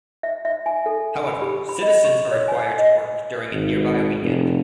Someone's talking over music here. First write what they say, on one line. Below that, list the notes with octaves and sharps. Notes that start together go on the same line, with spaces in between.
However, citizens are required to work during a nearby weekend.
E5
E5
G#5
A4
B5
G4
B5
D#5
C#6
C#5
G#5
D#5
G#1
F1